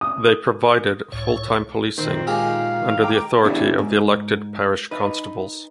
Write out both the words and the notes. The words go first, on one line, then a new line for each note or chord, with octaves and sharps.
They provided full-time policing, under the authority of the elected parish constables.
D#6
C#2 A2 C#5
A#2 D#3 C4
G#3 G4 G#4 F5
G5 A#5 D6
B3 D4 E4 G4 G#4 C#5
G#2
D#4 B4